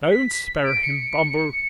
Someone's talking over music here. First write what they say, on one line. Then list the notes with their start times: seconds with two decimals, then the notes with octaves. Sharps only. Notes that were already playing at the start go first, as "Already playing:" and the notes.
Don't spare him, Bumble.'
0.10 B6
0.29 B6
0.64 D7
0.82 C#7